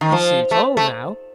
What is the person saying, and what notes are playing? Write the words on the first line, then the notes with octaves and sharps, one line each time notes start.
I see it all now.
D#3
F3
A3
A3